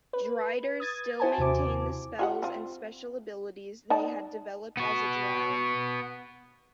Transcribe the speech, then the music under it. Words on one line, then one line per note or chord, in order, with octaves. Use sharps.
Driders still maintain the spells and special abilities they had developed as a drow.
B4
D#6 G#6 A6
E4 F#4 C5 G#5 A5
D#2 C3 D6
F4 G4 F#5
C4 F4
D#4 D5 A5
B3 F#4